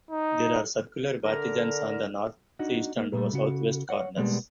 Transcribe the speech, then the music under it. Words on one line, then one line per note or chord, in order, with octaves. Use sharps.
There are circular bartizans on the northeast and southwest corners.
D#4
D3 A#4
D4 D#4 F#4
A#3
A#2 G3 A3
C#3 F#4
C#5 F#5
B2 G3 G#3 A#3 B3